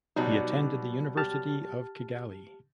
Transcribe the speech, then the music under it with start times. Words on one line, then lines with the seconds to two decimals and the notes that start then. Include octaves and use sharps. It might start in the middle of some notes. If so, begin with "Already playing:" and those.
He attended University of Kigali.
0.16 B2 F#3 G3 D#4
1.17 G4 A5 F6